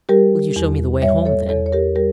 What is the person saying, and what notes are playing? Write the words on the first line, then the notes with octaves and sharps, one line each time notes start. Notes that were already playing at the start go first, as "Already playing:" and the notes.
"Will you show me the way home, then?"
G3 G4 A#4
E2
G3 C#5 E5
A4 C#5
E2 A4 C#5
C#5
G4 A#4
G3 G4 A#4